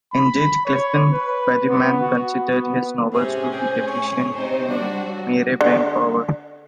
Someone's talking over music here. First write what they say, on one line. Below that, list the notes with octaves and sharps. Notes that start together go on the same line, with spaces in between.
Indeed, Clifton Fadiman considered his novels to be deficient in mere brain-power.
B5
C#5
B4
B3
F#4
B3
A2 C3 C#4 G#4
C4
C#5
C3 D#4 C5
G3 D4 F#4
F#3
D3